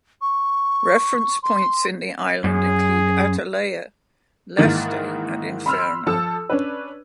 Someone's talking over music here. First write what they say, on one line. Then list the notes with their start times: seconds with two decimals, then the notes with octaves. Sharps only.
Reference points in the island include Atalaia, Leste and Inferno.
0.21 C#6
1.43 C6
2.44 F#2 G#4
4.57 G#2 D#3 E3 A#3 D#4 A6
5.66 B5 C6 E6 F6
6.07 F3 A4 A5 E6
6.50 C#4 D4 B4